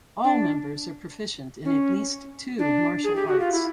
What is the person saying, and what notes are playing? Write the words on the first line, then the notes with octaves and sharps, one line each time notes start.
All members are proficient in at least two martial arts.
D4
C#4
D4
G#4
G4
F#4
F4
E4